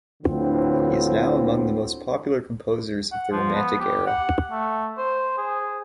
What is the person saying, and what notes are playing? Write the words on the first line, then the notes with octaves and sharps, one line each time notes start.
He is now among the most popular composers of the Romantic era.
D2 A2 D3 F3 B3 C4
F#5
F3
B3
G4
F#5
A3
C5
G#4